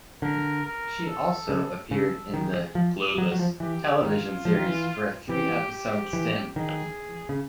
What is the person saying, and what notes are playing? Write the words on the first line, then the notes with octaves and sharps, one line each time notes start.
She also appeared in the "Clueless" television series for a three episode stint.
D3 A#4
A#4
A4
C#3
C#3 A4
D#3 G#4
F3
F#3
F#3
F3
E3 G4
D#3 F4
F3
D#3
E3
E3 G4
G4
E3
D#3 G#4
C#3